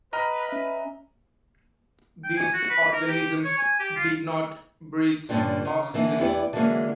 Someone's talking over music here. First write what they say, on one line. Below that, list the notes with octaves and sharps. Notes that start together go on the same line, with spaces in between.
These organisms did not breathe oxygen.
B4 D#5 G5 A#5 F6
C#4 E5
G5
G#5
F#4
B4
A#4
G4
C#5
G#5
G4
F4
G2 A#2 D3 G#3 C#4 D4
C#3
D3 E3 A#3
E2 B3 E4 G4 D5
D3 E3 F#3 G#3 A#3 C#4